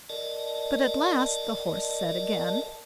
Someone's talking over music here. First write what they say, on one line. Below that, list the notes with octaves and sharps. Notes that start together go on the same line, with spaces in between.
But at last, the Horse said again.
A#4 D5 D#5 A5